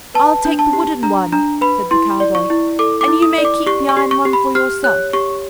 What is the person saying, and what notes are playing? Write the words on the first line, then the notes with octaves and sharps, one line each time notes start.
"I'll take the wooden one," said the cowboy; "and you may keep the iron one for yourself."
B4 A5
D4
A5
G4
D4 A#5
D4 A#5
B4 B5
E4 C6
D5
C#6
E4
A4 D6
D6
E4
D#6
D5
D6
G4 C#6
C#6
G4
C#6
G4
B5
G4 F6
C#5 F#6
G4 C#6